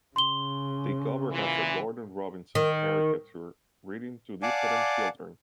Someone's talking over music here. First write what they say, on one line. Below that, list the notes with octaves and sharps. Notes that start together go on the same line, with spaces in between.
The cover has a Gordon Robinson caricature reading to different children.
C#3 C6 G7
A#2 E3
D#3
D5 F5 F#5 G#5 A5 D6